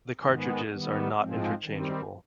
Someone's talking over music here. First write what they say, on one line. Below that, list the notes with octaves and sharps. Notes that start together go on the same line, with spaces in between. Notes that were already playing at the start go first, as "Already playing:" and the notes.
The cartridges are not interchangeable.
G#2 D#3 G#3 B3
D#3 G3 B3
G#2 F3 G#3 C4
D#3 G3 C4